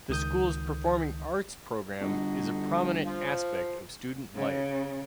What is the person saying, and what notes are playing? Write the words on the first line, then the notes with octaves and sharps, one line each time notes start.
The school's performing arts program is a prominent aspect of student life.
C#2 D#3 D#6 G6
G1 D3 D#4 F#4
F3
C#3